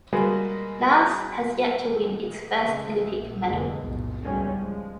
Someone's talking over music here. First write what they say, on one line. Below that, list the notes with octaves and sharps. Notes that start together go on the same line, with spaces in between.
Laos has yet to win its first Olympic medal.
G3 G#3 A#3 F#4 G#4 B4
C#3 G#3 A3
A#1
F1 G#2 D3 G#3 A#3
F1 B1 A2
C#2 G#2 F#3 G3 A3 C#4
F3 G#3